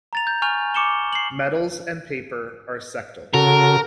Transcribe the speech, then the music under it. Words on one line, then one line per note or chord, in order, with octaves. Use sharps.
Metals and paper are sectile.
A#5 A6 F7
G6
G#5 C#6 F6 G6 F7
C#6 D6 C#7 E7 G7
C7 F#7
C#3 F#4 A4 A#4